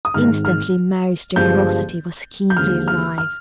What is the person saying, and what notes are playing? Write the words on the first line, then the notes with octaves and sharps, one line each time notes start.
Instantly Mary's generosity was keenly alive.
D#6
G#1 G#2 D#3 G#3 F6
F6
G1 G2 F3 G#3 G6
G6
D#2 D3 F3 G#3 F6
F6
F6